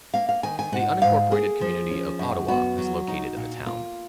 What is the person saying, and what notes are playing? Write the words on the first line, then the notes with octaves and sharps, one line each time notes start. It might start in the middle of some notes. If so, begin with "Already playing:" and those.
The unincorporated community of Ottawa is located in the town.
A#3 F5
F5
D#3 G#5
G#5
G#2 F#5
G#2 F5
A#3 G#4
F3
C#4
F#2
B3 F#4
F#3
D#4
A#2
A#3 F4